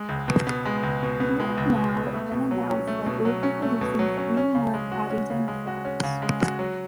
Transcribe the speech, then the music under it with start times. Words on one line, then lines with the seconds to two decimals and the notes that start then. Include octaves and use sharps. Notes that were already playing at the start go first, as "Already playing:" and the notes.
StudioCanal then announced that it would be producing three more "Paddington" films.
Already playing: G#3
0.09 C#2
0.28 B2
0.47 B3
0.65 G#3
0.83 C#2
1.03 B2
1.20 B3
1.40 G#3
1.57 C#2
1.76 B2
1.94 B3
2.14 A3
2.32 B2
2.51 F#3
2.70 C#4
2.87 A3
3.06 B2
3.25 F#3
3.43 C#4
3.62 A3
3.81 B2
3.99 F#3
4.17 C#4
4.37 C#4
4.55 C#3
4.74 G#3
4.92 F#4
5.10 C#4
5.30 C#3
5.48 G#3
5.67 F#4
5.85 C#4
6.03 C#3
6.22 G#3
6.41 F#4
6.59 F#3